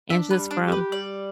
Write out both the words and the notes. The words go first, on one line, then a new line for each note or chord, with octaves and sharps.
And just from
D4 E5
B4
G3
D4
G4
B4
G3 D5